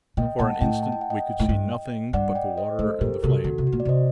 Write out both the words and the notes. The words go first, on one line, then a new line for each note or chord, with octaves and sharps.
For an instant we could see nothing but the water and the flame.
A#2 D#5 G5
A#2 F#5 A5
F#5
A2 D#5 G5
A5
G5
F#5
D#5 G5
A2
G2
G2 D5 F#5
D#5 G5
C5 D#5
A2 A4 C5
A#2 G4 A#4
C3 F#4 A4
D3 F#4
C3
F#4
A#2
D5
C3 C5 D#5